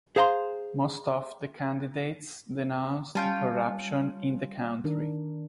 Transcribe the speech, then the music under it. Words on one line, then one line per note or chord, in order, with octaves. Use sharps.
Most of the candidates denounced corruption in the country.
G#4 C5 F5 A#5 C6
G3 C#4 F4 G5 A5 F6
D#3 D4 A#4